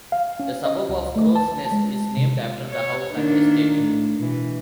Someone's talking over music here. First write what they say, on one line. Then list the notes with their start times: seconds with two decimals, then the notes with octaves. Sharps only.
The suburb of Crows Nest is named after the house and estate.
0.12 F5
0.39 C#4
0.65 D#5
0.89 C#2
1.16 A3
1.35 A5
1.72 G#3
2.17 C3
2.70 C#5
3.13 D#3 A#3 D4
3.81 A2
4.18 B2 E3